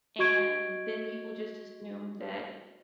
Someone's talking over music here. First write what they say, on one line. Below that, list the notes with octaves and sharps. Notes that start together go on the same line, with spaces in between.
and then people, just, assume that
F#4 D#5 C#6 G#6 D7